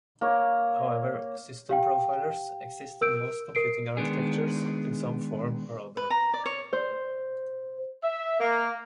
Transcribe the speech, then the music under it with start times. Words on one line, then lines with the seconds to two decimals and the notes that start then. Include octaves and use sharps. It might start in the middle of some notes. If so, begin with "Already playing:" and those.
However, system profilers exist on most computing architectures in some form or other.
0.21 A#3 C#5
1.69 G4 F5 G5
3.01 A#4 E6 G6 D7
3.55 A#4 C7 D7
3.97 D#3 G#3 B3 D4 G#4
5.97 B4
6.10 A#5
6.34 D5
6.46 C#5
6.73 C5
8.03 E5
8.40 A#3